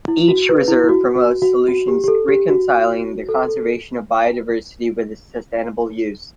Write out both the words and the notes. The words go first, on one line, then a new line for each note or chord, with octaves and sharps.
Each reserve promotes solutions reconciling the conservation of biodiversity with its sustainable use.
E4
F#4
B4
E4
E4
F#4
F#4
F#4
F#4
G4
G4
A4
G4
F#4
A4
A4